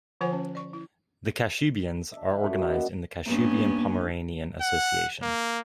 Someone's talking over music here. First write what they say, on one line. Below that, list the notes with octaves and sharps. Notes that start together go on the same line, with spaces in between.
The Kashubians are organized in the Kashubian-Pomeranian Association.
D3 F3 F4 C5 F#5 G#5
C#4
D5 C#6
E4
D4 E5
E3
F#2 D3 B4 C#6
D#3 B3 C#4
A#2
G2 A#3 B3 C#4
F#5
A#3